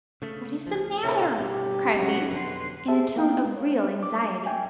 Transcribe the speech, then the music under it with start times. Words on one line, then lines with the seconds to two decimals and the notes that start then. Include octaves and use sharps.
"What is the matter?" cried Lise, in a tone of real anxiety.
0.22 C#3 A3
0.66 D2 F3
1.03 A2 C3 C4
1.38 G2 B2 G3 G4
1.94 F#1 C2 A2 F#3 C#4 F#4
2.31 F2 B2 D3 B4 C6
2.88 G4 G#4 C5 E5 A5
3.16 A#3 B3 E4 F5 G5
3.57 C#5
4.03 D6
4.46 E5 G5 G#5